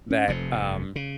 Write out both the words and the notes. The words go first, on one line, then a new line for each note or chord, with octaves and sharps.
that, um
C#4
F1 F2 C3
C#3